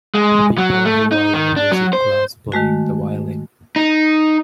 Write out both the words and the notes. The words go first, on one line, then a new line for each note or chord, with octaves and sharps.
People who are in a music class playing the violin.
G#3
F#3
A3
D#4
D#3
D4
F#3
C5
D#3 G#3 A3 F#4
D#4